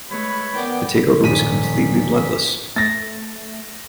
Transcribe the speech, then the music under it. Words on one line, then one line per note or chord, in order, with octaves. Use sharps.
The takeover was completely bloodless.
G#3 A3 B4 C#5 B5
A#3 B3 D5 G5
D#1 F3 B6 D#7
A3 A6 A#6